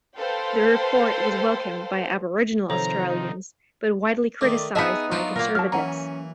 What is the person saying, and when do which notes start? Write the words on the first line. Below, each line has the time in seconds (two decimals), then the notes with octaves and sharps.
The report was welcomed by Aboriginal Australians but widely criticised by conservatives.
0.18 A4 B4 C5 F5 G5 C6
2.70 C3 D#3 F3 A4 C5 C#5 A#5
3.08 D#4
4.41 D#3 A3 D5
4.75 B3 D#4 G#4 D#5 E5 A5 B6
5.12 F#3 D4 F4
5.36 A#2 A#3 A#4
5.55 F#3 A5 F6
5.72 E3 C#4 F#5 A#5